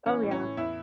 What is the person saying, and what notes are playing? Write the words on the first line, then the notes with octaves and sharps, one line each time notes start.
Oh, yeah.
E3 C#4
A2
C#4
A2
E2 E4